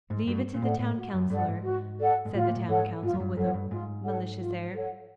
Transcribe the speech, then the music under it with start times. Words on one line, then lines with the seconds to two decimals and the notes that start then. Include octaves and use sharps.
'Leave it to the Town Counsellor,' said the town council with a malicious air.
0.10 G#2
0.27 G2 F#4
0.54 A#2
0.62 A2 A4 D5 F#5
0.79 A2
0.97 F#4
1.13 F#2
1.30 G2 A4 D5 F#5
1.48 G#2
1.65 F#4
2.00 A4 D5 F#5
2.25 G#2
2.34 A2 F4
2.46 A#2
2.57 A2
2.68 G#2 A4 C#5 F#5
3.02 G#2 F4
3.13 F#2
3.20 G2
3.36 F#2 A4 C#5 F#5
3.47 F#2
3.54 G2
3.71 G#2 F4
4.05 A4 C#5 F#5
4.39 F4
4.74 A4 C#5 F#5